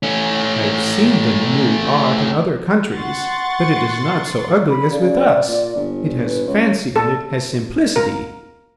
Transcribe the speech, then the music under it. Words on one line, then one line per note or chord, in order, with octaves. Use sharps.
I have seen the 'new art' in other countries, but it is not so ugly as with us; it has fancy and it has simplicity.
A3 C#4
F#5 C6 C#6 A6
B5
C#3 D5
A#2
G1
B4
C#2 C#5
A4
A#4